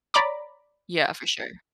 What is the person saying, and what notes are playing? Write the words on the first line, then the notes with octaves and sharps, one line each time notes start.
Yeah, for sure.
C#5 D5 A#5 B5 D6